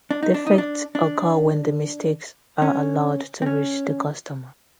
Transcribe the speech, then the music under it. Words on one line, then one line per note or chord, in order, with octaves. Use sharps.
Defects occur when the mistakes are allowed to reach the customer.
D4
D#4
D4
D#4
D4
D4
C#4
C4
C#4